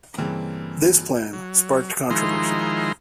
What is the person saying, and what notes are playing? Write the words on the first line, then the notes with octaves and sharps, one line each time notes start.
This plan sparked controversy.
G2 C#3 E3 A#3 C4
F#3
D#3 F3 G#3 E4 A#5 C6